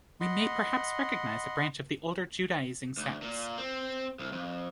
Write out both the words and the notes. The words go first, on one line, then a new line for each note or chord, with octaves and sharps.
We may perhaps recognize a branch of the older Judaizing sects.
D#5 F#5 B5 C6
D2
A#2
C4
C2
F2